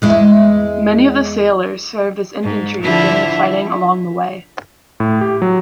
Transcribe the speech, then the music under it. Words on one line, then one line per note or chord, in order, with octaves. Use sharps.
Many of the sailors served as infantry during the fighting along the way.
E2 G#3 E4
G#2
D3 F3 E4
A2
G4
F#3